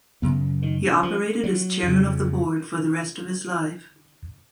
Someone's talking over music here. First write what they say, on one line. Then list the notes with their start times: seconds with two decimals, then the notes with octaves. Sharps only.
He operated as chairman of the board for the rest of his life.
0.22 F#2 C#3 B3
0.62 D#3
1.03 F3
1.44 F#3
1.83 F2 C#3